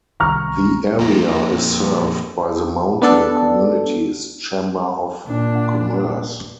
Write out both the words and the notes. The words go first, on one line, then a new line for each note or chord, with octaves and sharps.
The area is served by the Mountain Communities Chamber of Commerce.
C2 D#3 A#5 C#6 F6
F2 A#3
B3 D4 A4
A#2 D4